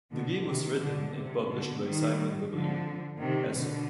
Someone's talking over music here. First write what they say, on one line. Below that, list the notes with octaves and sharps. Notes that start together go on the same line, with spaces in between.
The game was written and published by Simon W Hessel.
B2 D3
C3 D#3
B2 D3
C3
B2 D3
D#3 G3
D3 F3
C3 D#3
B2 D3